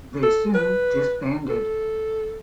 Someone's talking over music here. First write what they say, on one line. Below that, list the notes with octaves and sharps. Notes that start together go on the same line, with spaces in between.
They soon disbanded.
A4
B4
A4